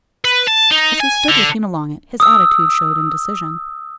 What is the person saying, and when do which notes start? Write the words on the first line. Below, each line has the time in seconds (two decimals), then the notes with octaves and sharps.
As he stood looking along it, his attitude showed indecision.
0.25 B4
0.47 A5
0.71 D#4
1.00 G#5
1.29 D3
2.20 D#6 E6